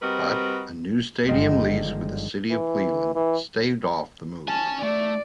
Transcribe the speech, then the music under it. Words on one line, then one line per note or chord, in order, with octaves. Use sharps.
But a new stadium lease with the city of Cleveland staved off the move.
G3 C4 F#4 A#4 B4 D#5
G1 G#2 D3 D#3 F3
E3
E3
C#4 G#5 A5
A3 D5